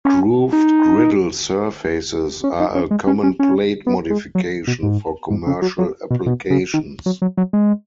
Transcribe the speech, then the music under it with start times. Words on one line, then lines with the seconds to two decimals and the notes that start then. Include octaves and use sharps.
Grooved griddle surfaces are a common plate modification for commercial applications.
0.05 C#4
0.53 D#4
2.44 C#4
2.60 D#4
2.75 C#4
2.91 G#3
3.07 C#4
3.23 C#4
3.39 C#4
3.87 B3
4.10 G#3
4.35 F#3
4.67 B2
4.83 G#2
5.30 G#2
5.47 C#3
5.62 F#3
5.79 F#3
6.11 B2
6.26 B2
6.50 C#3
6.74 D#3
7.06 F#3
7.22 F#3
7.38 F#3
7.53 G#3